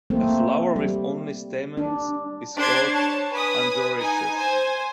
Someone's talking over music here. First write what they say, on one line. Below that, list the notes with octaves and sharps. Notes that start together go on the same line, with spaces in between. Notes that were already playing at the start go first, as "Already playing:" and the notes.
A flower with only stamens is called androecious.
A3 A#3 C4
G3
D4
D4 G4 C5 C6 G#6
C#5 A5
B4 G#5 B5 D#6
D#4 G#5
C5 G#5